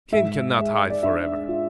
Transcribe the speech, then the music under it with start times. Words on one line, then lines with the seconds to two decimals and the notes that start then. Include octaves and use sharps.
Kane can not hide forever.
0.13 G#2 E5
0.58 G#3
0.90 D5
1.03 D4 E5
1.48 F4